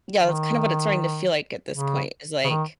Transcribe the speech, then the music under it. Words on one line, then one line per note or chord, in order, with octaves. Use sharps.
Yeah, that's kind of what it's starting to feel like at this point is, like
D#3
C#3
C#3
D#3